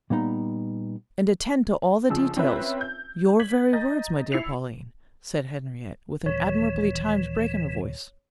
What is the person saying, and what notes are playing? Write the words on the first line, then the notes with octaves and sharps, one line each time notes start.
"And attend to all the details--your very words, my dear Pauline," said Henriette, with an admirably timed break in her voice.
A#2 G3 B3 D#4 A#5
G1 C#3 F3 G#4 E6
C4 C#4 F4 B4 E5
G6
G#6 B6 F#7
D#5 A#5 G6 A6
E4 C7 C#7 F7
D#1 E3 C#5